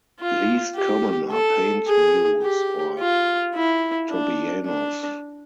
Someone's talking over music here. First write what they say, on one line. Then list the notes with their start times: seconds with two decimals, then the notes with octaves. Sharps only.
Least common are paint mules or tobianos.
0.21 F4
0.76 G4
1.32 A4
1.88 G#4
2.43 G4
2.99 F4
3.55 E4
4.11 D4
4.66 D4